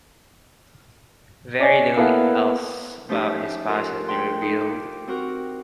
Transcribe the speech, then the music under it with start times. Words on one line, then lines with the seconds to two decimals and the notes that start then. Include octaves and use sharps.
Very little else about his past has been revealed.
1.59 C#4 D5 D#5 G#5
1.96 A#3 B3 E4 A4 F5 F#5
3.09 F3 A3 C#4 D#4 G4
3.68 C#4 F4 A4 A#4
4.08 D4 G5 C6
4.42 D#4
4.61 D6
5.07 C4 F#4 A#4